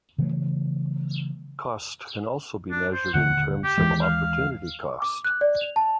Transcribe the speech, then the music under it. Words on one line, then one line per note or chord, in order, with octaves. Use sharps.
Cost can also be measured in terms of opportunity cost.
C#3 E3 F#3 A3
D4
C5
D#1 D3 A3 F#5
G4
D#2 E3 G#3
F5
D6
F#6
D5
F7
A5